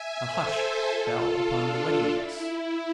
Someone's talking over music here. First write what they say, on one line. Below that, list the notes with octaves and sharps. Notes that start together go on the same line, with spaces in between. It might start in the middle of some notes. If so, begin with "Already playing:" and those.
A hush fell upon the wedding guests.
Already playing: E5 G#5
A4 C5
F4 A4
D4 F4
E4